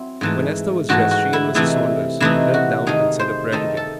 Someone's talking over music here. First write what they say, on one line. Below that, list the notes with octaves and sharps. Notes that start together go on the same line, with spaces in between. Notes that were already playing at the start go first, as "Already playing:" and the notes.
When Esther was dressed, she and Mrs. Saunders knelt down and said a prayer together.
Already playing: F#3 C4 E4
G#2 E3 A3
G#2 E3 A3 F#4
F#4
E4
C3 E3 A3 D#4 E4
C3 E3 A3 D#4 E4
F#4
D#3 A3 D#4 G#4
C5
D#3 A3 D#4 A4
A4